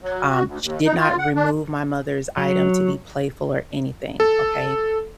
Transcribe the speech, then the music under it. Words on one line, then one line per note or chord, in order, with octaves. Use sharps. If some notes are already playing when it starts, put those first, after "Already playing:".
Um, she did not remove my mother's item to be playful or anything, okay?
F#3
F#4
D2
D#2
D#4
F4
F#5
D4
F#3
A4